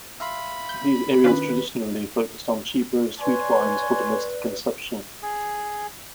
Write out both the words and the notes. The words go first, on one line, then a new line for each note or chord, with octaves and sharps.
These areas traditionally focused on cheaper, sweet wines for domestic consumption.
E5 F5 B5 C6
G6
D#3 C#4 D4 F4 B4
B4 C#5 D5 G#5 C6
G#4